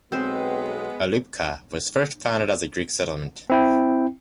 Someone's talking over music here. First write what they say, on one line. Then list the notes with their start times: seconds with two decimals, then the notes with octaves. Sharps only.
Alupka was first founded as a Greek settlement.
0.12 B1 G#3 B3 C4 C5
3.50 C4 E4 G5